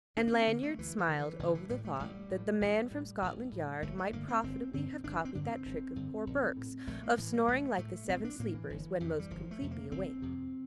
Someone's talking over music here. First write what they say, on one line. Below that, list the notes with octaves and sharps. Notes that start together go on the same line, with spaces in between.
And Lanyard smiled over the thought that the man from Scotland Yard might profitably have copied that trick of poor Bourke's, of snoring like the Seven Sleepers when most completely awake....
D2 D4
D4
C4
D3 A#3
A3
D2 E3
E3
D3
E3
A1 D3
E3
A2 G3
A3
F3
A1 G3
A2
A1
A2
A1
A2
G1 A3
A3
G2 D3 A#3
C4
G1 C4
G2 D3 C4
G1 D4
C4
G2 D3 D4
C4
G1
G2 D3
A#1
A2
A#1 A3
A#3
A2 E3
G3
A#1 A3
A2 A3
A#1 C4
D4
A2 A#3
E3
G1
F2 C3
G3
G1 F3
A3
F2 C3
A#3
G1 C4
F2 C3